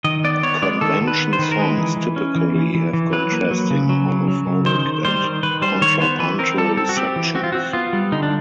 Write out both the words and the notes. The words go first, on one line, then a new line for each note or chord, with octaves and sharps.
Convention songs typically have contrasting homophonic and contrapuntal sections.
D#3 D#5
B3 D5
B3 C#5
G#3 D5
D#3 A4
D#3
B4
B3
C5
D#3 B4
A#4
G#3 B4
E3
E3
C#4
E3
E3
E3
E3
F#3 B4
A#3
F#3
C#3
F#3
C#3
F#3
C#3
D#3 C5
D#3
G3 C5
D#3
D#3 B4
G3 C5
D#3 C#5
B3 C5
E3 B4
C4 A#4
G3 A4
C4 A4
F#4
C4 G4
E3
C4 F#4
F4
C4 F#4
B3 F4
G3
D3 D#4
D4